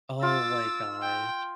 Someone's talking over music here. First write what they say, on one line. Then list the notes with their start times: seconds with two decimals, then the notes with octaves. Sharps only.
Oh my gosh.
0.23 F4 D6 E6 A6
1.02 G5